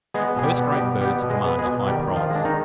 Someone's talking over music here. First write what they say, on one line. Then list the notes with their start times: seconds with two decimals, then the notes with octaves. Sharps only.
First-rate birds command a high price.
0.14 G#3 B3 G#4
0.36 B2 G#4
0.43 G3 G4
0.58 B3
0.72 G3 G4
0.80 B2
1.01 G3 B3 G4
1.22 B2
1.30 G#3 G#4
1.44 B3 B4
1.59 G#3 G#4
1.65 B2
1.87 D#3 G3 G4
2.09 D#3
2.16 F3 F4
2.30 G#3
2.35 D4
2.45 D#3 D#4